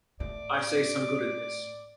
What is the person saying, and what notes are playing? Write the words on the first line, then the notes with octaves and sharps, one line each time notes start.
I see some good in this.
A2 D5